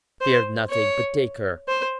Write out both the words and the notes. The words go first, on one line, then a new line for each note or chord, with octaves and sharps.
'Fear nothing, but take her.'
C5
C#5
C5